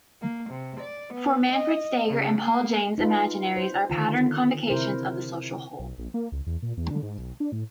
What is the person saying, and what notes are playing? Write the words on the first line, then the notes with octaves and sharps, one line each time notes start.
For Manfred Steger and Paul James imaginaries are patterned convocations of the social whole.
A#3
C3
D5
B3
D#5
C#3
A#3
D#4 F4 B4
C5
D3 D#3 F4
C3 E4 A#4 C5
B1
A#1
A#3
C#2
E2
A#2
E2
D3
G#2
B1
D4
A2